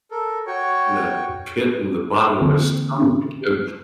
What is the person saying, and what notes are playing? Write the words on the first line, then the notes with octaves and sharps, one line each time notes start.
that pit in the bottom of my stomach and,
A4 A#4
F#4 C#5 G5 C#6
D3 E3 A#3 C4